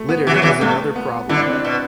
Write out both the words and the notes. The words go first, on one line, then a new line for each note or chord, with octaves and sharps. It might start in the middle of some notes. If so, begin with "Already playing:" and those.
Litter is another problem.
Already playing: A3
B3
E3 F#4
F#3
E2 E3 B3
G2 A3
B3
D3 E4
D4
C4
D4
B2